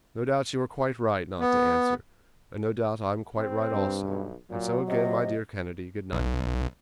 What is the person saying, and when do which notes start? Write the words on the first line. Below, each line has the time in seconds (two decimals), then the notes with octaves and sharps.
"No doubt you are quite right not to answer, and no doubt I am quite right also--and so again, my dear Kennedy, good night!"
1.40 B3
3.36 C4
3.72 G2
4.08 B1
4.51 A#2 F#3
4.88 C3 D#5
6.12 B1